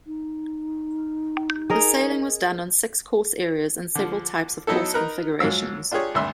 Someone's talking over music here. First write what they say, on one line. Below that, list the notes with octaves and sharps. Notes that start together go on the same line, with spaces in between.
The sailing was done on six course areas and several types of course configurations.
D#4
G#4 A#4 D#5
D3 F3
F#3 B3 D#4 E4 A4
D#4 A#4 B4
G#2 F3 F#3 F5 E6
D4 F4 G4 G#4 C#5
G#1 D2 G2 E5 C6 E6